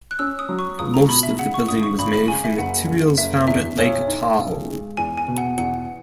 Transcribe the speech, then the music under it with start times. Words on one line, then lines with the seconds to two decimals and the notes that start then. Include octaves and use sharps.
Most of the building was made from materials found at Lake Tahoe.
0.11 F#6
0.19 C#4 E6
0.39 D#6
0.49 F#3
0.59 C#6
0.79 C#2 D#6
0.94 A#5
1.09 B2 B5
1.23 E5
1.39 C#3 F#5
1.54 C#6
1.68 G#1 D#6
1.83 C#6
1.98 G#1 B5
2.13 B5
2.28 C#3 G#5
2.44 E5
2.58 F#1 F#5
2.88 F#1
3.18 F#1 E5
3.48 E2 E5
3.78 B1 C#5
4.08 D#4
4.38 B1
4.68 G#3
4.97 E2 G#5
5.17 G#5
5.28 B2
5.38 F#5
5.58 E2 F#5